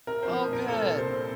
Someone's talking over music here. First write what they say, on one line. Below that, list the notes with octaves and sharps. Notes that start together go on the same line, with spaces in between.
Oh good.
C4 A#4
F3 C5
A#2
A#4
C2 A4
A#2
C5
C4